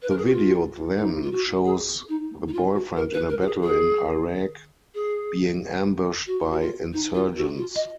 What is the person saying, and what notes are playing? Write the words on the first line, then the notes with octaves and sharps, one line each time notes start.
The video then shows the boyfriend in battle in Iraq being ambushed by insurgents.
B4
A#4
G#4
F#4
F4
D#4
F4
F#4
G#4
D#4
D#4
F4
F#4
A#4
B4
A#4
F#4
G#4
G#4
G#4
F#4
F#4
F4
D#4
F4
F#4
F4
D#5